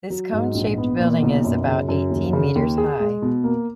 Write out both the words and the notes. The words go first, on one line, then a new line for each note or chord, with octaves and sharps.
This cone-shaped building is about eighteen metres high.
F#3
G#2
A#1
B3
A#2
B1
F#2
C#3
F#2
D#2
C#3
D#2
G#4
G#3
B2
A#3